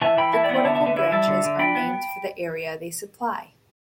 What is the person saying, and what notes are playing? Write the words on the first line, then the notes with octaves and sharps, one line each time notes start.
The cortical branches are named for the area they supply.
E3 E5 A5
E3 G5 B5
E4 E5 A5
D5 G5
B3
D5 G5
D3 E5 A5
E5 A5
D3
B4 E5
E4 B4 E5
G3 E5 A5
D3
D3
D4 G5 B5
B3